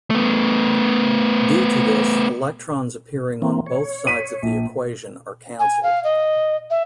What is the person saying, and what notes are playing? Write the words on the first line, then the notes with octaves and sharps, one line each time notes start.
Due to this, electrons appearing on both sides of the equation are canceled.
A3 B3
E3 A#3 C4
C#5
B6 D#7
A#1
G#5
F5
D#5
E5